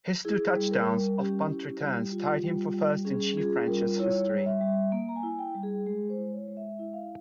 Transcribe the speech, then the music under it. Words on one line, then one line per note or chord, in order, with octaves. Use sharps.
His two touchdowns off punt returns tied him for first in Chief franchise history.
E4 G#4
G3
A#4
G3
C#4 G4
E4
G3
F4
G3
G3
C#4 G#4
F4 G#4
G3 A#4
E4 C#5
G3
E5
G3
A#3
A#5
G#5
E4
G5
G3
G#4
G#3 G#4
C5
E4
C#5
G#3
E5
E4 E5
F5